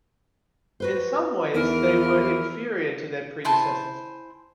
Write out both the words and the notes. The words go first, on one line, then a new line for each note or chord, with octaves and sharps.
In some ways they were inferior to their predecessors.
F#4 B4 C5
E2 E3 A#4
E4 C5 G#5 A5